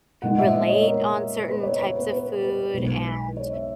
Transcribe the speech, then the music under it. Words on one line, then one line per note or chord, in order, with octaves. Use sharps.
relate on certain types of food, and
A#2 G#3 D#4 F#5
E5
D#5
C#5
A#4
B4
C#5
B4
B4
B4
B4
B1 B2 G#3 B4
C#5
E5